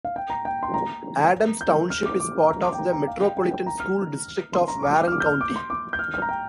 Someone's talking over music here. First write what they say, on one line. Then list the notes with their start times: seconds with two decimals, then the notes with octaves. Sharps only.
Adams Township is part of the Metropolitan School District of Warren County.
0.05 F5
0.16 G5
0.30 A#5
0.45 G5
0.63 C6
0.74 A#5
1.61 G6
1.90 F6
2.05 D6
2.20 D6
2.49 A#5
2.63 D6
2.72 G5
2.78 A#5
2.93 A#5
3.07 F5
3.22 G5
3.37 G5
3.51 G5
3.66 A#5
3.80 F6
4.53 C6
4.68 A#5
4.83 D6
4.98 D6
5.08 F6
5.12 D6
5.20 G6
5.26 F6
5.41 D6
5.56 C6
5.70 D6
5.93 G6
5.99 F6
6.14 F6
6.22 A#5
6.29 G5